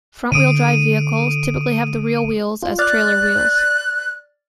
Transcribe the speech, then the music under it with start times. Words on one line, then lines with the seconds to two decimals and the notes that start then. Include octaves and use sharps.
Front-wheel drive vehicles typically have the rear wheels as trailer wheels.
0.32 D3 D#6 D7 D#7
2.63 F4
2.79 D5 F6 F#6 A6